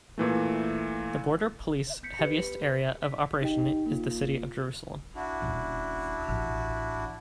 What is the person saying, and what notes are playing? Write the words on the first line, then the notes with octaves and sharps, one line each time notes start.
The Border Police heaviest area of operation is the city of Jerusalem.
A#2 E3 A3
B3 G6 B6 C#7
G4 B4
B6
D#4 G4 D#5 G5
A#3 F4
D4 E4 F#4
D#1 C#4
A1